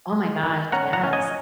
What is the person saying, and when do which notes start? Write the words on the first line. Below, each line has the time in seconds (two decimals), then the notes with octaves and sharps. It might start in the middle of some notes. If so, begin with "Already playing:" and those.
Oh my gosh, yes.
0.13 G#3
0.43 D#3
0.72 C#4 F#5 A#5
0.93 F#5 A#5
1.03 C#4
1.13 D#5 G#5